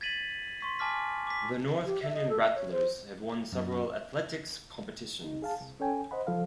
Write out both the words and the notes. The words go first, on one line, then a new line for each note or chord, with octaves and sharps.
The North Canyon Rattlers have won several athletics competitions.
G#6 A6 B6 D#7 F#7
C6 C#6 B6
G#5 A5 D6 F6 B6
D6 B6
G4
E5
D#5
A4
D#5
C#5
C5
F#2
D#4
G#4 F5 A5
C2
C#4 A4 C#5 G5 G#5
C5 D#5 F#5 B5
C#2 F3 A4 F5